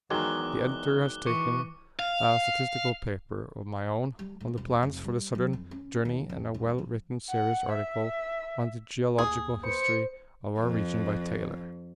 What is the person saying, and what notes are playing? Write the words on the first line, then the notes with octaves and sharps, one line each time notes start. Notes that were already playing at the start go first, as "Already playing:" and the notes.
The Editor has taken a statistical paper of my own on the plans for the Southern Journey and a well-written serious article on the Geological History of our region by Taylor.
E2 D#3 F#3 G#3 D6 F#6 G7
E3 C#6 D6 C#7
F5
G3
A2
D#1
F1
G3
F#3
F2
C#4
D#2
F2
D#1
F3
F#5
E5
D#2 G#4
C5 C#7
F2